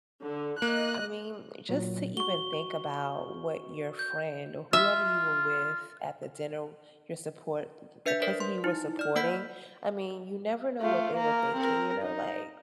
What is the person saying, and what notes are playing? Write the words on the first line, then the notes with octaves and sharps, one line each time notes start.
I mean, just to even think about what your friend or whoever you were with at the dinner, your support th th the person who you were supporting I mean, you never know what they were thinking, you know? Like
D3
A#3 D#5 F#6
A#2 F#3
F#4 C#6 G7
G6
F4 E5
D4 B4 E5 G6 B6
A#4 C5 D5 B6
C6
D#4 E4
D5 F6
A#3 C5 F#5 B5 G6 B6
A3 F4
A#3 A#4
C4 A#4
D#4